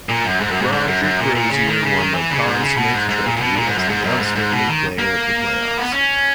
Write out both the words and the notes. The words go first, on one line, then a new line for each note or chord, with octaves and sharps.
Roger Crozier won the Conn Smythe Trophy as the outstanding player of the playoffs.
A#2
F#2
G#2
F#2
G#2
G#2
F#2
F#2
A#2
A#2
C#3
D#3
C#3
D#3
E3
C#3
G#2
C#3
B2
G#2
G#2
A#2
A#2
B2
A#2
G#2
F#2
G#2
F#2
G#2
G#2
B2
D#3
A#3
B3
C#4